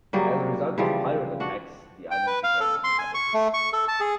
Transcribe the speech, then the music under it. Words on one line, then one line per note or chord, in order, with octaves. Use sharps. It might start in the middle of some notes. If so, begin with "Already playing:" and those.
As a result of pirate attacks, the island became uninhabited.
C#3 F#3 G3 A#3
C#3 E3 F3 G3
D4 F#4 F#5
G5
B4
F5
A4
C6
G#5
C#6
A3
C#6
A4
A5
G#4